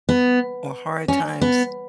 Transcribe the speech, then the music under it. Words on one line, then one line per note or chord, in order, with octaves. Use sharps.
or hard times
B3
C#4
B3